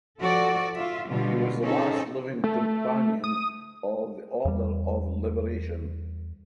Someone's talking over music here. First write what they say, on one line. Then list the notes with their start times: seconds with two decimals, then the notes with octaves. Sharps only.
He was the last living Companion of the Order of Liberation.
0.18 F3 F#4 A4 D5
0.76 F4 E5
1.09 B2 D3 G3 F4
1.61 C4 C#4 D#4 G#4 A4
2.44 A3
3.24 D#6
4.45 E2 G3